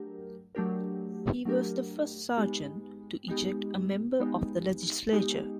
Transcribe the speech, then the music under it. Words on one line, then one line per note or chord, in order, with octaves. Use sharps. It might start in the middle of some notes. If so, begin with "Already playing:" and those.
He was the first sergeant to eject a member of the Legislature.
Already playing: F#3 A3 D4 G4 A#4
F#3 A3 D4 G4 A#4
F#3 A3 D4 G4 A#4
G#3 B3 D#4 G4
G#3 B3 D#4 G4
G#3 B3 D#4 G4
G#3 B3 D#4 G4